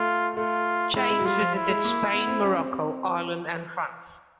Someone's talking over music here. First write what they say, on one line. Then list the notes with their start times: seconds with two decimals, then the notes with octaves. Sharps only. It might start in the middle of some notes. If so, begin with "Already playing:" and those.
"Chase" visited Spain, Morocco, Ireland, and France.
Already playing: A3 F4
0.36 A3 F4
0.96 G#3 E4
1.10 G#3
1.19 F#3
1.25 G3 F4
1.40 F3
1.55 E4
1.69 G#3
1.84 A#3
2.13 B3
2.28 C4
2.43 C#4
2.57 C4
2.72 C4